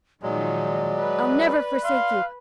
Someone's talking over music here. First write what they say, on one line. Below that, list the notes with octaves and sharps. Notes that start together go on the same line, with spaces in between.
I'll never forsake you.
A#2 D#3 F3 F#3 G#3 D5
B4
F5 C6